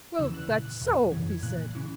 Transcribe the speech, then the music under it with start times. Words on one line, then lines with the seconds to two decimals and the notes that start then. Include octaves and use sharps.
"Well, that's so," he said.
0.18 E2 C#3 E3 E6
0.34 F#6
0.49 A#2 F#6
0.81 E2 B2
1.12 F#2 C#3 E3 G#6
1.43 A#2 F#6
1.75 C#3 E3